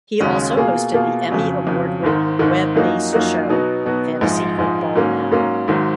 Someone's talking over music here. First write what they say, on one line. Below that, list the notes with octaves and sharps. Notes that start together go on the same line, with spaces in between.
He also hosted the Emmy-Award Winning web-based show "Fantasy Football Now".
D#2 C#3 G#3 C#4 F#4
B2 A#3 F4 G#4
B2 A#3 F4 G#4
F2 C#3 F#3
F2 C#3 F#3
G#1 G#2 D#3
G#1 G#2 D#3
F#2 F3 A#3 D#4 F#4
F#2 F3 A#3 D#4 F#4
B2 F#3 B3 D#4 F#4
B2 F#3 B3 D#4 F#4
A#1 G#2 F3 G#3
A#1 G#2 F3 G#3
G#2 F#3 A#3 C#4
G#2 F#3 A#3 C#4
G#1 G#2 D#3 F#3